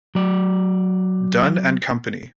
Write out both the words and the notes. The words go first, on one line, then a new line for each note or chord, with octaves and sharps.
Dun and Company.
F#3 D5